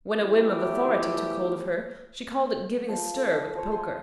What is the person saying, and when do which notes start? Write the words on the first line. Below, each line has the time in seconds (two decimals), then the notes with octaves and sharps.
When a whim of authority took hold of her, she called it giving a stir with the poker.
0.22 E2 E3 F3 A3 E4 G4
2.89 F3 F5
3.16 A4 G#5
3.55 F3 C5 C#5
3.72 G#5 C6